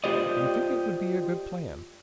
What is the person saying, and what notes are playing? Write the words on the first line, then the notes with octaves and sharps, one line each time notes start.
"Do you think it would be a good plan?"
F4 G4 C5 D5 D#5